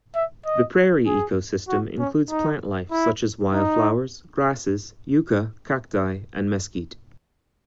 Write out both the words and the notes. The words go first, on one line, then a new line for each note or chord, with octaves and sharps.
The prairie ecosystem includes plant life such as wildflowers, grasses, yucca, cacti, and mesquite.
E5
D#5
G#4
F#4
C#4
D#4
E4
D#4